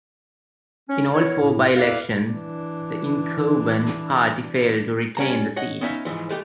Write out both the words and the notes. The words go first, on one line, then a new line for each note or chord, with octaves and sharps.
In all four by-elections, the incumbent party failed to retain the seat.
C#4
B3 E4 A#4 C#5
A2
E4 A4 B4 D5 F5
E3 D4
G3 C#4 C#5 F#5 A#5
C#5 D#5 F#5
B3 C#4 D#4 E5 F5
G#2 B2 E3 F3
G#3 A3 G4